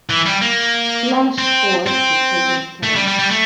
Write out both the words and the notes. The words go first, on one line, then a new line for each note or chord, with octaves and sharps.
Flash forward to present times.
E3
G3
A#3
C4
C4
A3
G3
G3
G3
A3